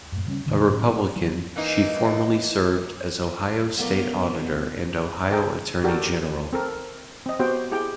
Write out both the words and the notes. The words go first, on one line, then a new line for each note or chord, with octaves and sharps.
A Republican, she formerly served as Ohio State Auditor and Ohio Attorney General.
F#2 A2
C#3 G3 C4 C#4
D2 C3 D#3
A2 F#3 C4 C#4
F#3
E3 A#3 D#4
B1 A3 F4 A#4 D5
G#4 A4 G5 A#5
F#4 G4 A4 A#4 D5 G5
C4 A4 A#4
C4 D#5
B3 C4 F#4 G4 C5 G5
E4 G4 G#4 G5